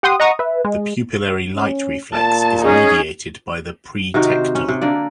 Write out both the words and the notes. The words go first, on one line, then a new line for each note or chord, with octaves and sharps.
The pupillary light reflex is mediated by the pretectum.
G4 F#5 G5 C6 D#6
D#5 F#5 A#5 C#6 D#6
B4 E5
G#3
C#4
A#2 A5
C#4 D#4 G#4
C3 D#3 D#4 F#4
C5
C#4
C3
D3 A#3 D5